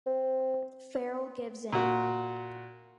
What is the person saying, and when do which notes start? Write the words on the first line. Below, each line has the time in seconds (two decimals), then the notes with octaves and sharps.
Farrell gives in.
0.06 C4
1.73 A#2 F#4